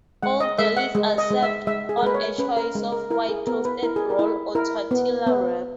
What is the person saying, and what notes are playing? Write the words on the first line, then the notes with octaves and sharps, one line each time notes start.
All delis are served on a choice of white toasted roll or tortilla wrap.
G#3 F#5
D#5
G#3 E5
F#5
G#3
D#5
G#3
E5
G#3 E5
G#4
A#4
G#3 B4
C#5
C#4 B4
A#4
G#3
A#4
E4 A#4
G#4
B3 A#4
B4
E4 A#4
G#4
A#4
E4
E4 A#4
B3
B3